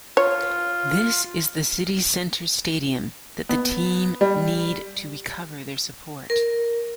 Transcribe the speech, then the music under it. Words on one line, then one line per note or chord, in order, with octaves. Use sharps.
This is the city center stadium that the team need to recover their support.
F4 C#5
B3
G3
A#4